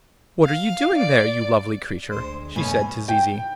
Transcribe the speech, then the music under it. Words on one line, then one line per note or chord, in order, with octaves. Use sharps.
'What are you doing there, you lovely creature?' she said to Zizi.
F5
D5
D2 G#3 C5
F#2 B2 A3 C#4 G#5
G5